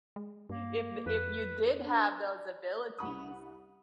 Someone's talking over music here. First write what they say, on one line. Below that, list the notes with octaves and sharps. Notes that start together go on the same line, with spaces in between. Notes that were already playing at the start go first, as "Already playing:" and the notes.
if y if you did have those abilities,
G#3
G2 A#3
F2 B4
D4
C2 F#5 B5 D#6